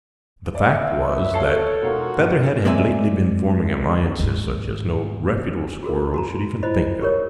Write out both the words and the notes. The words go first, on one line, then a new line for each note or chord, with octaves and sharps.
The fact was that Featherhead had lately been forming alliances such as no reputable squirrel should even think of.
B4 D5 E5
A4 C#5 F5 A5 C7
E1 D#4 F4 F#4 A#4 F5
A#1 G2 A#2
G#3 A#3 C4 D5 E5 G#5
D#2 G#2
F4 F#4 G#4 A#4
F#4 A5 A#5
F4
E4 F4 C5 D#5 B5
F4 G4 A#4 C#5